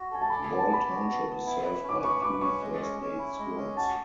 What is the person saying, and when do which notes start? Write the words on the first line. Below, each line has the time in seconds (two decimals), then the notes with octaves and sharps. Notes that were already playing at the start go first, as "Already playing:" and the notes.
Wall Township is served by three first aid squads.
Already playing: F#4
0.11 A4 G#5
0.22 A5
0.30 D5 B5
0.45 B3 G#5
0.59 A5
0.68 D5
0.73 B5
0.88 F#4
1.08 B3
1.26 B3
1.46 E4
1.65 B4
1.83 C#4
1.89 D6
2.03 B4 C#6
2.22 B4 D6
2.41 C#4 C#6
2.61 G#3
2.81 C#4
3.00 C#4
3.19 E4
3.38 G#3
3.57 C#4
3.77 F#4 A5